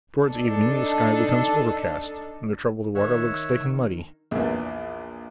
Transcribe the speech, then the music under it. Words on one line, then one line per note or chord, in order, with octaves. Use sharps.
Towards evening the sky becomes overcast and the troubled water looks thick and muddy.
D4 D#4 A4
D#3 C#5 E5 F#5
A#1 E2